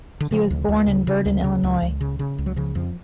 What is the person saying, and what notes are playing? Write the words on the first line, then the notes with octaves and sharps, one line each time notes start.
He was born in Virden, Illinois.
D3
C#3 F3
D2
D2
C#3
C#3
D2
C#3
C#2
C#2
C#3
C#3
C#2
F#3
C#3 F3
F2 F3